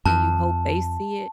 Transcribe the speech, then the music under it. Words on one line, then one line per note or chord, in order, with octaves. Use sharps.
and you hope they see it,
F2 A5